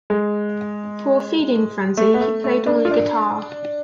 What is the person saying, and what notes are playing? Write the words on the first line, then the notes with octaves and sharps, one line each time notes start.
For "Feeding Frenzy", he played only guitar.
G#3
A3
B3
A3
A3
D4
F4
D4